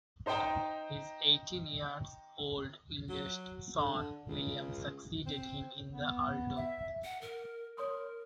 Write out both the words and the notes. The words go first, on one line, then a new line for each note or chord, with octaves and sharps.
His eighteen-year-old eldest son William succeeded him in the earldom.
D#4 C5 D#5 G5 A#5
F#3
D3
C#2
C4
B3
E5
F#5
A#4
A#4 C#5 C6 D#6